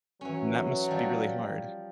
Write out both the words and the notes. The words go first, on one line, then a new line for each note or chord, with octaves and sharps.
and that must be really hard.
E3 F#3 C#4
F3 G3